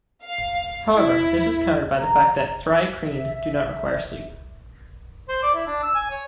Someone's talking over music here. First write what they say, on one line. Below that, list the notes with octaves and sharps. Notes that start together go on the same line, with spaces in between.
However, this is countered by the fact that thri-kreen do not require sleep.
F5
E4
A#5
E5
C5
D5
E4
D4
E6
G#5
C#5